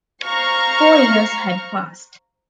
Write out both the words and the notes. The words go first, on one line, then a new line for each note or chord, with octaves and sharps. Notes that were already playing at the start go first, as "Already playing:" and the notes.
Four years had passed.
C5 F5 A#5 C#6 F6